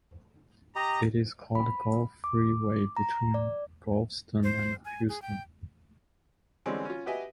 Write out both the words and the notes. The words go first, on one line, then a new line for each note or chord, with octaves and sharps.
It is called Gulf Freeway between Galveston and Houston.
G4 D#5 A#5
B5
D6
A#5
D5
C5
G#5
G#4
G5
D3 E3 G3 G#3 C4 C#4
C#4 F4
F#4 G4 B4 D#5 E5 G#5